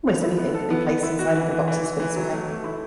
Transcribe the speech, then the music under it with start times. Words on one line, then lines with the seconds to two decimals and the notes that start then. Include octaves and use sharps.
Almost anything can be placed inside of the boxes for display.
0.22 E4
0.38 B3
0.54 A4
0.70 B3
0.86 B3
1.03 E4
1.19 F#4
1.35 E3
1.51 E3
1.68 E3
1.84 E3
2.00 E3
2.16 F#3
2.32 A3
2.48 A3
2.64 E4